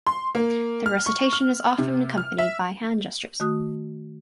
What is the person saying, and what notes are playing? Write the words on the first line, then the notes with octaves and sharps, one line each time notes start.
The recitation is often accompanied by hand gestures.
C6
A#3
F6
C#6
F6
C3
F6
E5
D#3 A3 F#4 D#6 F#6